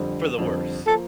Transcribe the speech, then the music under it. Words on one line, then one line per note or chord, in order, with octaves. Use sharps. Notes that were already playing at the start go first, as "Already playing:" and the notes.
for the worse.
Already playing: F2 D3 G3 C4
F2 D3 G3 C4
F3 A#3 A4